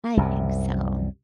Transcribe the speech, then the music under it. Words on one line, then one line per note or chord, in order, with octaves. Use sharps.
I think so.
C2 F#2 C3